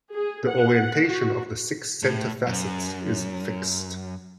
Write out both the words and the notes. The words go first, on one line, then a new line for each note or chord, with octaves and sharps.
The orientation of the six centre facets is fixed.
G#4
F#5
F#4
A2
F#2